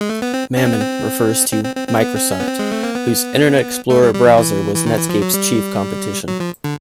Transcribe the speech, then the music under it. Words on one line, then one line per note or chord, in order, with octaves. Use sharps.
"Mammon" refers to Microsoft, whose Internet Explorer browser was Netscape's chief competition.
G#3
A3
B3
C4
C#4
C4
B3
C4
C4
C4
C4
C4
B3
C4
C#4
B3
C4
G#3
A3
A#3
B3
A3
G3
G3
F3
E3
E3
D#3
E3
F3
F#3
G3
F#3
F3
D3